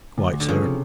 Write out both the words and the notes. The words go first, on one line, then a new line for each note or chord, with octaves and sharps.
"Quite, sir."
D2
D2
D3
C#3 F3
C3